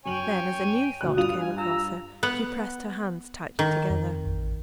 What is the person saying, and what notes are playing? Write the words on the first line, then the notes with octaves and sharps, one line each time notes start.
Then, as a new thought came across her, she pressed her hands tightly together.
F#2 C#5 G5 G#5 F#7
D2 B2 F#6
G2 F4 D#6 F7
G#5
A#5 E6
B3 F#5
D#3
F2
A1